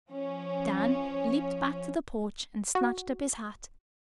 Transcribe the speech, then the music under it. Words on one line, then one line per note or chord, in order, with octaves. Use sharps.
Dan leaped back to the porch and snatched up his hat.
F3 C#4
F#4